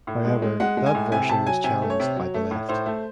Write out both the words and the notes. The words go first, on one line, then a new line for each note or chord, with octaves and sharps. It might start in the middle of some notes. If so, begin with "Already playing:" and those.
However, that version was challenged by the left.
A2
G#3
G#3
G#3 F#5
G#3
G#5
A2
C3 G#5
C3 A5
F#3 G#5
C3 G#5
A3
C#5
C3
F#3
A3
A2
A2 C5
A3